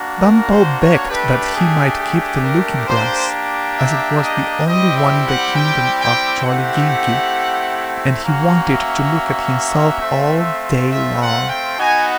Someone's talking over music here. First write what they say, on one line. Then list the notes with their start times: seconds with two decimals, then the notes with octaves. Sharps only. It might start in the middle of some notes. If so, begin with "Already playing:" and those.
Bumpo begged that he might keep the looking-glass, as it was the only one in the Kingdom of Jolliginki, and he wanted to look at himself all day long.
Already playing: A#3 D4 F#4
0.19 A#4
0.49 C5
0.78 C#5
1.08 A3 D4 G4 B4
1.53 G#4
1.97 G#4
2.42 A#4
2.86 A#3 D4 G4 C5
3.75 E5
4.20 D#5
4.64 G3 C4 E4 G4 D#5
4.94 E5
5.24 F#5
5.54 G5
5.98 G5
6.43 A3 C4 E4 G4 F#5
8.21 A#3 C#4 F#4
8.66 E5
10.00 A3 C4 F4
10.89 E5
11.19 F#5
11.48 G5
11.78 B3 D#4 F#4 G#5